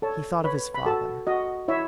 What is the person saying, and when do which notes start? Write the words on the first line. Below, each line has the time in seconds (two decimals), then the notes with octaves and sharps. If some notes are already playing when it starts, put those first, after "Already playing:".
He thought of his father.
0.02 A4 C#5 A5
0.44 B4 C#5 B5
0.74 B5
0.86 F#4 A4 A5
1.27 F#4 D#5
1.68 E4 C#5 E5